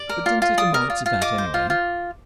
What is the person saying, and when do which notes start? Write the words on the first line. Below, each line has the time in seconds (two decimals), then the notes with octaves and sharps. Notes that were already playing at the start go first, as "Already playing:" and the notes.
"But didn't it amount to that anyway?"
Already playing: D5
0.09 A#4
0.26 F4
0.42 F4
0.58 D5 D#6
0.74 A#4
0.90 F4
1.06 F4
1.21 D#5 D6
1.38 C5
1.54 F4
1.70 F4